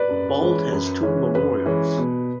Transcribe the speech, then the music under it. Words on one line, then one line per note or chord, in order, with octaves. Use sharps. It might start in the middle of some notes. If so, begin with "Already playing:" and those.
Bald has two memorials.
Already playing: B4 D5
F#2
E3 G#3 C#4
F#2
E3 G#3 C#4
F#2 B4
E3 G#3 C#4
B2